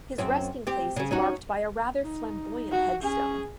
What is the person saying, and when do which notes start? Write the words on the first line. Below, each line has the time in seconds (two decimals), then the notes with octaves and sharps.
His resting place is marked by a rather flamboyant headstone.
0.18 F#2 C4 C#4
0.67 C4 G4
0.96 C#3 C#4
1.11 C#4 D#4 F#4
2.02 D#4
2.71 F#4
3.03 C#4 G#4